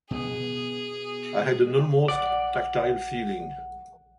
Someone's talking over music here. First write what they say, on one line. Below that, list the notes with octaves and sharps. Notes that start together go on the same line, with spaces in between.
I had an almost tactile feeling.
B2 B3 G#4
A#1 D5 F#5